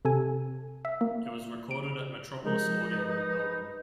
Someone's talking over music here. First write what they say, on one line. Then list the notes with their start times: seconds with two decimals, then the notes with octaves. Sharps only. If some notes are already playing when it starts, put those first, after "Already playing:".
It was recorded at Metropolis Audio in Melbourne.
0.05 C3 A4 G#5
0.85 E5
1.01 A#3
1.71 D7
2.44 F3 G#3 D#4 A#4
2.98 B4